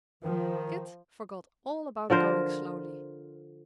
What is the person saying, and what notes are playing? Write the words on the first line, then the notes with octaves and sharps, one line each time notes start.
Kit forgot all about going slowly.
D#3 F3
D3 F3 A#4 C5